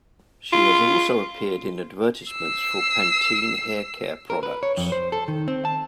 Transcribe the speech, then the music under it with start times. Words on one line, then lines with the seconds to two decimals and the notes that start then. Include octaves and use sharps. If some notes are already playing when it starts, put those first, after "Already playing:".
She has also appeared in advertisements for Pantene hair-care products.
0.53 F4
2.28 E6 C7
4.30 A#4
4.43 B4
4.63 C#5
4.77 F2
4.92 C5
5.12 A4
5.28 D#3
5.48 C4
5.65 A5